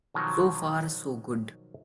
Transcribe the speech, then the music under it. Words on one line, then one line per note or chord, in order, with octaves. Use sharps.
So far so good.
B2 D#3 F3 F#3